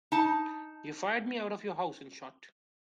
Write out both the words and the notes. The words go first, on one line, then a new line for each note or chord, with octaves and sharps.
You fired me out of your house, in short.
D#4 A5